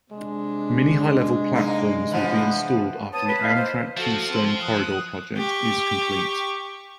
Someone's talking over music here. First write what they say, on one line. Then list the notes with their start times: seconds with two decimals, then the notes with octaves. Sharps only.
Mini-high-level platforms will be installed after the Amtrak Keystone Corridor project is complete.
0.12 C3 G#3 D4
1.55 A#3 D#4
2.11 E3 F3 B3
3.13 B3 C#5 A5 D#6
3.28 B4
3.42 D#4 E4 F5
3.56 C5
3.97 F3 F#4 A4
4.30 C4 C5
4.62 D#6 F#6
5.37 G4 C#6